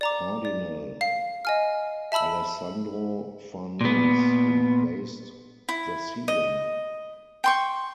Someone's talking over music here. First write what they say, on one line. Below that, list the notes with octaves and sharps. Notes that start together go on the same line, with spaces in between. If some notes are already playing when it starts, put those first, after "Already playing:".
Cardinal Alessandro Farnese replaced the ceiling.
D5 A#5 D6
D5
F5 C7
D#5 G#5 F6
E5 A5 B5 E6 F#7
A#2 B3
E4
D#5
G5 C6 C#6